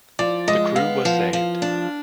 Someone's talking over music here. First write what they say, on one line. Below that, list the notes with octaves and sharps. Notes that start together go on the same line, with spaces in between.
The crew was saved.
F3 D5
G#3 D#5
B3 F5
F3
F3
D4